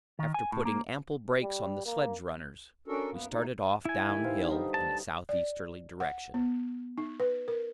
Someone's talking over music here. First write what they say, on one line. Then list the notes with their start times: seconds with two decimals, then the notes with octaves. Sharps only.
After putting ample brakes on the sledge-runners, we started off downhill in a south-easterly direction.
0.19 D#3
0.34 G#5
0.52 A2
0.65 A#3
1.41 G3
1.85 A#3
2.88 C#4 D4 F#4 A4 A#4
3.11 F#2 A#3 B3
3.31 F#3 A3 D#4
3.85 E4 G#5
4.09 D#3 G4 B5
4.24 B4 C5 F5
4.47 D3 G3 D#4
4.74 A5
5.29 D5
6.00 F#5
6.34 B3
6.98 D#4
7.20 B4
7.48 A#4